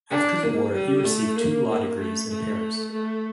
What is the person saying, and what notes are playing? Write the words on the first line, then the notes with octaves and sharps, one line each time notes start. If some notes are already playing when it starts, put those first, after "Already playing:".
After the war, he received two law degrees in Paris.
D4
A#3
G3
A3
A#3
A#3
A3
A3
A3